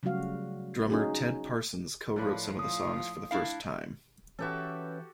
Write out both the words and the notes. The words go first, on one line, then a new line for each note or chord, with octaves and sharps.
Drummer Ted Parsons co-wrote some of the songs for the first time.
C#3 F#3 G3 A3 F#4 F5
C#4 D#4 F#4 G#4
A2 F3 D4 F4 B4
D#6
D4 E4 F5
E3 C#4 F#4 G4 A4 B4 E5